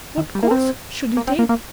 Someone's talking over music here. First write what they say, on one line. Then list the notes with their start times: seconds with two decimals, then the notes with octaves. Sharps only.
What course should he take?
0.18 D#3
0.35 G3
0.43 A#3
0.51 C4
1.17 A#3
1.27 C4
1.39 A#3
1.49 A#3